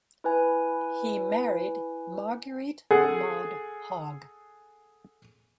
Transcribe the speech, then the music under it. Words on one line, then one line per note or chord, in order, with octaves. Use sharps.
He married Marguerite Maud Hogg.
E4 B4 G#5
G#4 A4 F#5